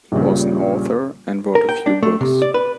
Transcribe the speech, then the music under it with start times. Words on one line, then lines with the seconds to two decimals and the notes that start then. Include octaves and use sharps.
He was an author and wrote a few books.
0.12 A#1 G2 A#2 C#3
1.55 A#4
1.69 G5
1.86 D4
2.03 A3
2.21 C3
2.42 D5
2.54 B4